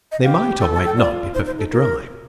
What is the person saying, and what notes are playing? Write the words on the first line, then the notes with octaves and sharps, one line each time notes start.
They might or might not be perfectly dry.
D#5
G4 F5
A4 G5
A5
G5
F4 D5
D#4 C5
C5
A4
A#4